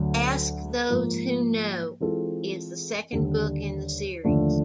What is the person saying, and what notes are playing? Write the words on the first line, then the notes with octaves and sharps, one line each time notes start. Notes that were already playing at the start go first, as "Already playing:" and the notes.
"Ask Those Who Know" is the second book in the series.
Already playing: D2 D3 F#3
G#2 F3 A#3
E3 G#3 C4 F4 A4
D#2 D3 G3
D#2 D3 F3 A3 D4